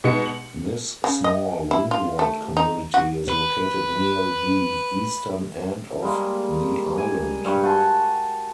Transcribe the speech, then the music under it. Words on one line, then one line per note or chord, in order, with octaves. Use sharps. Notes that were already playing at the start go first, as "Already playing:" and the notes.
This small windward community is located near the eastern end of the island.
B2 G#3 D#4 C#7
F#7
C#3
D#5
E4
F4
A3
D#4
F#4
B4 B5
G3 G#3 A#3
G#5
G2 G3 G4 C#6
F#4 G#5 A5 C6